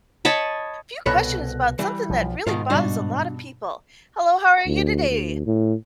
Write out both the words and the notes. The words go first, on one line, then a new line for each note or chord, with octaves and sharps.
few questions about something that really bothers a lot of people. Hello, how are you today?
C#5 D#5 A5 B5
C2 B2 A4 B4 C#5 B5 F#6 A#6
E3 G3
B1 F3
G#2 B2 D#3 F4
G2 B2 D4 D#4 F#4
D2
D2
A2